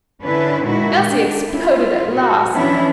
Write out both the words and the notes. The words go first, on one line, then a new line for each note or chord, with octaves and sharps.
Elsie exploded at last.
D3 C#4 D4 E4 B4
A#2 D#3 G#3 E4 F#4
D4
E4 F4
A#2 F#4
E3 F3 B3 C#4 D4 E4